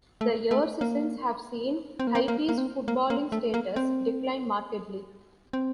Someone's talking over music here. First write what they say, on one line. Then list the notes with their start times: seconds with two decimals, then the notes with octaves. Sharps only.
The years since have seen Haiti's footballing status decline markedly.
0.21 A3
0.51 A3
0.81 A#3
2.00 C4
2.07 A#3
2.15 C4
2.28 A#3
2.49 A#3
2.58 C4
2.88 A#3
3.10 A#3
3.32 A3
3.54 A#3
3.76 C4
5.53 C4